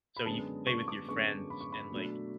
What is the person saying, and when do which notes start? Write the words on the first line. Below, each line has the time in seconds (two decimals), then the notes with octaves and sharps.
So, you can play with your friends and, like,
0.17 B5
0.25 F#2 D3 G#3 B3 A5
0.67 C#6
0.88 D6
1.08 F#2 D3 G#3 B3 C#6
1.50 B5
1.61 C#6
1.72 B5
1.91 B2 F#3 A3 D4